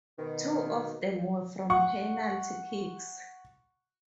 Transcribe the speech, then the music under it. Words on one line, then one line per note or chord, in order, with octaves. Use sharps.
Two of them were from penalty kicks.
B2 D#3
F#5 C#6